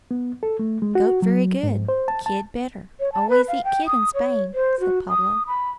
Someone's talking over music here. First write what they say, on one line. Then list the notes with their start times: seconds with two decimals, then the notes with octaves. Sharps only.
"Goat very good, kid better; always eat kid in Spain," said Pablo.
0.11 B3
0.43 A4
0.59 A3
0.82 G#3
0.95 F#4
1.22 F#3
1.63 G#2
1.89 C5
2.08 A5
2.26 A5
3.00 C#5
3.13 A5
3.30 B4
3.48 F5
3.64 G5
3.87 D#6
4.14 C#5
4.54 C5
4.80 F#4
5.09 D#6
5.47 B5